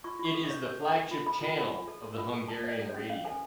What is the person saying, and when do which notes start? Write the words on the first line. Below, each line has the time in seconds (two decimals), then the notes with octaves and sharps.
It is the flagship channel of the Hungarian Radio.
0.04 F4 C#6
0.19 F4
0.25 C#6
0.34 A4
0.45 C#6
0.50 C#5
0.66 C#5
0.81 A4
0.96 A4
1.11 F4
1.26 A4 B5
1.41 F4
1.57 F4
1.72 F4
1.88 A4
2.02 A4
2.18 F4
2.33 A4
2.48 A4 A5
2.64 C#5 D5
2.79 A4
2.89 C#5
2.94 C#4
3.09 C#4 F5
3.24 A4 G#5